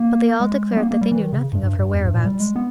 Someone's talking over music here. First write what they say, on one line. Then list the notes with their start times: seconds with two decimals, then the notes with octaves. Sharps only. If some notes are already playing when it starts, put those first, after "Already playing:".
But they all declared that they knew nothing of her whereabouts.
Already playing: A#3
0.40 G#3
0.71 G3
0.77 B3
0.81 A#3
0.91 A#3
1.01 G3
1.11 E3
1.22 D#3
1.33 C#3
1.53 G2
1.63 G2
1.79 G2
1.94 E2
2.05 G2
2.15 A#2
2.25 G3
2.40 G#3
2.56 B3